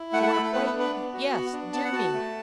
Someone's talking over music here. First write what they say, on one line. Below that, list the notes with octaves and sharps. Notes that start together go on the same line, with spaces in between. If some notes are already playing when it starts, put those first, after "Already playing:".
You are quite--yes--dear me!'
Already playing: E4
A3 F#5
F#5
A5
A3 B5
A4
B3 B4
B4
D4
B4
B3
F#4
B3
D4
B3 A5
F#5
F#4 A5
A3